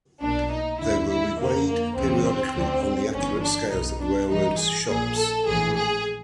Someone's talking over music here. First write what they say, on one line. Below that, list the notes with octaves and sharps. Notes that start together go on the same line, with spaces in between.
They were reweighed periodically on accurate scales at the railroad's shops.
B1 A#2 D4
D#4
D#2 D3 E4
E4
F2 D3 A#3
A#3
C#2 C#3 E3 C4
D2 D3
G1 G2 E3 C#4
D4
B1 B2 D#4
D4
A1 G2 E3 D#4
G#4
A#1 A#2 G#4
A4
A#1 A2 E3 G#4
G#4